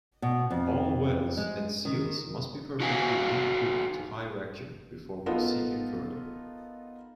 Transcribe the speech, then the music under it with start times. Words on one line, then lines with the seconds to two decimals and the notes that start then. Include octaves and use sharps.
All welds and seals must be perfectly leak-proof to high vacuum before proceeding further.
0.22 B2
0.51 F2
1.37 G#3
1.85 D#3
2.80 D#4 F#4 E5 F5 G#5
5.26 B3 D#4 F4 A4 A#4